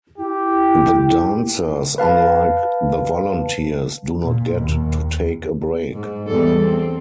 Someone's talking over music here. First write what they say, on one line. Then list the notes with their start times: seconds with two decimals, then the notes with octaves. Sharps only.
The dancers, unlike the volunteers, do not get to take a break.
0.18 E4 G4
1.98 B4 F5 A5
4.23 A#2
4.60 D#2
5.93 G#2
6.27 E2 G3 A4
6.61 C4